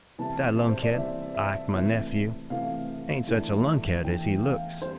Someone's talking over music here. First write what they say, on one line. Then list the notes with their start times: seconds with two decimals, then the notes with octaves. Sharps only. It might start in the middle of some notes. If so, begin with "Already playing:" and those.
That lunkhead, Ike, my nephew, ain't such a lunkhead as he looks.
0.18 C3 E3 G3 A5
0.69 C5
0.83 D5
0.96 C3 E3 G3 E5
1.35 E5
1.73 C3 E3 A3
2.50 C3 E3 A3 F5
3.27 E2 E3 A3 D4
4.04 E2 E3 A3 D4 G5
4.43 F5
4.81 G3 C4 C5